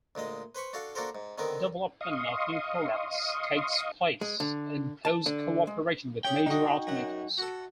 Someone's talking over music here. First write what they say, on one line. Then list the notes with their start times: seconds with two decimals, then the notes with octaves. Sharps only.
Development of new products takes place in close cooperation with major automakers.
0.15 D2 A#2 G#3 D#5
0.55 B4 C5 B5 C#6
0.73 D4 F#4 A4 F5
0.95 A#3 D4 F#4 A4 A#4 C5
1.15 G#2
1.38 D3 D#3 B3 C4 A#4
2.01 D#5 F5 C6 C#6 D#6
4.21 G#3
4.40 D3
5.05 A5
5.26 D3
5.67 G#3
6.25 C#4 G4 G#4 G5
6.46 D3 D#4 F#4 D#5
6.87 F#2 F#5
7.38 F#4 A4